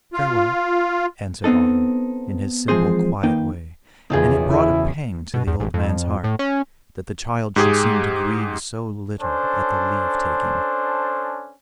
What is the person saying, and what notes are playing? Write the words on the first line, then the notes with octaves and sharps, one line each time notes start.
"Farewell," answered Otto, in his simple, quiet way, and it brought a pang to the old man's heart that the child should seem to grieve so little at the leave-taking.
F4
B3 C4 D#4 A4
E3 F3 G#3 C4 G#4 C5
D#3 A#3 D#4 B4 G5
F#1 E2 D#4 F4 G#4
E4 G#5
B2
E2
A1
F2
A2
C#4
G#2 G4 G#4
C#4 D4 A4 C5